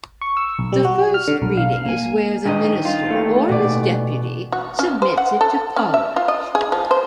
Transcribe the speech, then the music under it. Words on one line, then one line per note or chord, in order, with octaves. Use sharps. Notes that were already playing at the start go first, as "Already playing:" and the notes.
The first reading is where the minister or his deputy submits it to Parliament.
C#6
E6
B1
G3
F#4
F6
D3
B1
F5
A#3 G#5
G2 D#3 D#4 D#5
F4
D#2 A3
B2 E3 D5
F#4
C#4
C5
F#5
A4
C#4
E5
F4
D#5
G#4
F3
C5